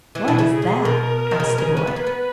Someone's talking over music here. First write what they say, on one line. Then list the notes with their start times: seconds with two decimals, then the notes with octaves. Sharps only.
"What is that?" asked the boy.
0.15 E3
0.23 B2 E4
0.39 C#3
0.53 G#4
0.62 B2
0.85 B2 A#4
1.31 D#3
1.40 C#3
1.49 B2
1.58 C#3
1.77 C#4 B4
1.87 B3
1.96 A#3
2.07 B3